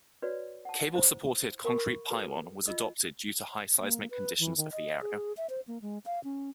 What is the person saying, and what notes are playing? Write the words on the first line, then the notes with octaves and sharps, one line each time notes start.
Cable supported concrete pylon was adopted due to high seismic conditions of the area.
F#4 B4 C#5 D5
F#5 A5
E4 C5
A#4 F5 B5 C#6
F#4 G#4 A4 B4
F4 D#5 E6
A#3
B4
E3
D#3
D#5
G#4
E5
C5
A#3
G#3
F5
C#4